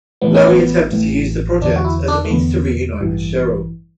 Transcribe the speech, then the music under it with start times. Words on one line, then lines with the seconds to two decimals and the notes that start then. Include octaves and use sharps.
Larry attempts to use the project as a means to reunite with Cheryl.
0.21 A1 A2 E3 B3
0.34 C#4
0.47 B3
0.91 A1 A2 E3
1.62 E2 D3 D4
1.76 F#4
1.84 E4
2.08 D4
2.25 A3
2.31 E2 D3 B3
3.01 A1 G2 E3